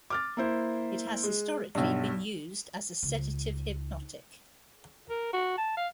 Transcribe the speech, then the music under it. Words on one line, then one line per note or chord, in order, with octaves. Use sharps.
It has, historically, been used as a sedative hypnotic.
D6 F6 A6
A#3 E4 C5
G#3
B1 G2
C#2
A#4
F#4
A5
F5